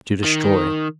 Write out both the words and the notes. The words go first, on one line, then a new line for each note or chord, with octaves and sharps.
To destroy.
D#3